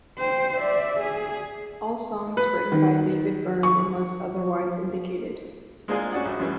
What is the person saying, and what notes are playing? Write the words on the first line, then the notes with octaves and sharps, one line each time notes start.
All songs written by David Byrne unless otherwise indicated.
C5 G5
D5 E5
G#4
B4
D#3
C#6
G#3 A#3 C4 D4 F4 G#4
C#4 F#4 D5 F#5 D#6
A#1
F#2 E3 G3